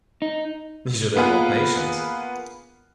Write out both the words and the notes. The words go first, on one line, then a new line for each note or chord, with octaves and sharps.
You should have more patience.
D#4
A#3 B3 F4 G#4 B4 F5